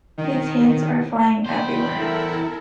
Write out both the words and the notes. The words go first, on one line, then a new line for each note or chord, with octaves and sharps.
His hands are flying everywhere.
D#3
E2 C5 G5 B5
E4 A4 A#4